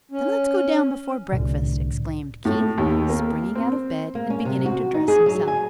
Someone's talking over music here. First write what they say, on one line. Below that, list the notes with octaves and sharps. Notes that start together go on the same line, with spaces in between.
"Then let's go down before breakfast," exclaimed Keith, springing out of bed and beginning to dress himself.
C#4
C2 A2 D3
A2
D#2
A#3
C4
A#3
C#4
C3
F#4
D#4
G#4
F#3
G#5